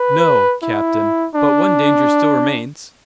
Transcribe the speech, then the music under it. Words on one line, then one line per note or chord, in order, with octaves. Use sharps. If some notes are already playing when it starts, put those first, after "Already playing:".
"No, captain, but one danger still remains."
Already playing: B4
E4
D4